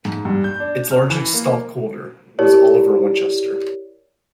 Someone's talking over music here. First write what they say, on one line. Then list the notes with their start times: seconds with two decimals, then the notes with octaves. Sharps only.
Its largest stockholder was Oliver Winchester.
0.05 G#2
0.25 G2
0.44 G6
0.60 D4
0.91 F6
1.10 E3
1.33 A#3
2.39 E4 G4 A#4 C#5 D5